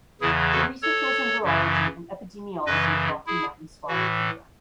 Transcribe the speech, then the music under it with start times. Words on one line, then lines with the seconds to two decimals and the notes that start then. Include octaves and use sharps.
Her research was in virology and epidemiology of Rocky Mountain Spotted Fever.
0.21 E2 C#3 E3 E4 G#4
0.52 F#4 A4
0.82 A4 C#5
1.43 F#2 C#3 E3
2.65 F#2 C#3 E3 B4 D#5
3.26 E4 G#4
3.88 A2 E3 F#4